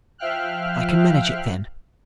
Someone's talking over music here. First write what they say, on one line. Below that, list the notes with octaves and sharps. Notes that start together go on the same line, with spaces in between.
I can manage it then.
F3 E5 F5 G5 F6 F#6